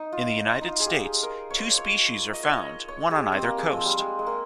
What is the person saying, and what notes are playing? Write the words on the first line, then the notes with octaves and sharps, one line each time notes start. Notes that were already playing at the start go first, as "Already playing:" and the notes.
In the United States, two species are found, one on either coast.
Already playing: D#4
F4
D#4
F4
G#4
G4
G#4
A#4
C#5
C5
C#5
C#5
D#5
C#5
D#5
C#5
G#4
G4
C4
A#3
G#3
F3
G3
G#3
G#3
A#3